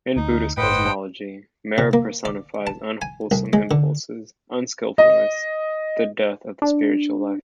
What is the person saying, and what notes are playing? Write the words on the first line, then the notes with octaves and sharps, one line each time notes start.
In Buddhist cosmology, Mara personifies unwholesome impulses, unskillfulness, the "death" of the spiritual life.
D2 D#4
G1 A2 B4 C5 D#5 F#5 G5
C3
A#3
D5
A5
G#5
C2
G#3
D3
D#5
D4